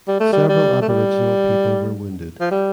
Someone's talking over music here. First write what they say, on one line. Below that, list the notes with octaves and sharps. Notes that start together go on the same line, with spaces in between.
Several Aboriginal people were wounded.
G3
A3
G3
G3
A3
G3
F3
G3